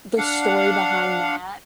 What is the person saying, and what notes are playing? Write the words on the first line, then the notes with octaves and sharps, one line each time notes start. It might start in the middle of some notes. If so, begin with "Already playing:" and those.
the story behind that,
D4 F5 F#5